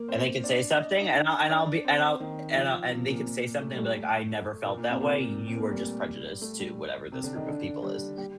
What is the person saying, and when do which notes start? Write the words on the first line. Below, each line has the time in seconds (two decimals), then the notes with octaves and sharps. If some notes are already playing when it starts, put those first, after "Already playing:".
and they can say something, and I'll and I'll be and I'll and I and they could say something and be like, "I never felt that way, you are just prejudiced to whatever this group of people is,"
Already playing: A#3 A#4
0.09 C4 C5
0.44 D4 D5
0.80 D#5
1.01 D#4 D#5
1.14 D4 D5
1.50 D4 D5
1.84 C4 C5
2.20 D#3 D#4
2.50 D#4
2.55 F3 F4
2.90 C3 C4
3.08 A#2 A#3
3.61 A3
3.74 G3
3.78 A3
4.66 A#2 A#3
4.77 A#2 A#3
4.89 C3 C4
5.01 A#2 A#3
5.47 C4
5.55 A#3
5.63 A3
5.71 G3
6.42 A3
6.59 G3
7.12 C3 C4
7.24 D3 D4
7.35 D#3 D#4
7.47 D3 D4
7.82 G3 G4
8.18 G3 G4